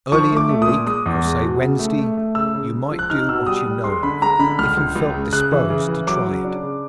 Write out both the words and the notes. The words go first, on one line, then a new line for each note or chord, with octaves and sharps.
Early in the week, or say Wednesday, you might do what you know of, if you felt disposed to try it.
F3 C#6
A3
D6
A3
D#6
A#2
G#3 D#6
E2
G#3
B2
C#3
A3
A3
A3
C#3 E6
C#3
G#3
F3
F#6
D#4 F6
B2 E6
G3 D#6
G3
G#3 C6
D3 B5
G#3 A#5
D3 B5
C#2 F6
C#2
C#2
C#3
C#3 F#6
E3
C#3
E3
F#3 D6
C#3
D4
C#3